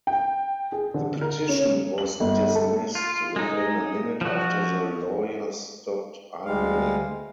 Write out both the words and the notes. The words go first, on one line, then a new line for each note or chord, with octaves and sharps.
The petition was dismissed within a minute after the lawyer stopped arguing.
G5
G#4
D3
A#4
C#4
F#7
G1
A4
F4
G#3 D#4
F3 F#4
D2 G3 G#3 F5